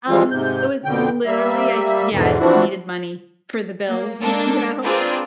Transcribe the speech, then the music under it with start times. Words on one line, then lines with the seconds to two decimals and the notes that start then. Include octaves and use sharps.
Um, it was literally I Yeah, I just needed money for the bills, you know?
0.08 E3 F3 G3 G#3 F4
0.31 G#2 C3 G6
0.85 F2 B2 D3 G5
1.26 G3 A#3 E5
2.12 E2 G#2 B2 D3 E3
2.40 E3 F3 C4 D4 E4 F#4
3.86 A#3
4.21 G#3 A#3 D4 A4
4.82 C4 D4 F4 G#4 A#4 B4